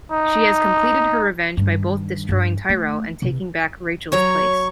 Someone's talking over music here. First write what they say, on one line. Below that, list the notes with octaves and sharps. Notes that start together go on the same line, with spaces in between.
She has completed her revenge by both destroying Tyrell, and taking back Rachael's place.
D#4
G2 D#3
G2 F4
A3 F4
C3 E3
F#3 C#5 A#5 C#6